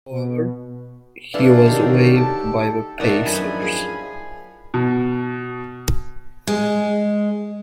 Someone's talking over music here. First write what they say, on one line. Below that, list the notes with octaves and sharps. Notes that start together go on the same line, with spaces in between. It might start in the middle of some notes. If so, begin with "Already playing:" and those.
However, he was waived by the Pacers.
B2
E3 A3 D4 A4 D5 F5 F#5
D3 D#3 D#4 F#4 G4 C#5
A4 A5
D#3 A3 D4 E4 A#4 D5 F#5 A#5
F#2 F3 E4 B4 E5 G#5 B5
F4 G#4
B2
G#3